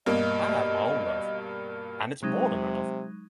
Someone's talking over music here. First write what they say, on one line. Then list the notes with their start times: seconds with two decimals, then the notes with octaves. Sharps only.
I have my own life and it's more than enough.
0.06 G2 B2 A#3 D#5
2.23 C3 F#3 G#3 D#4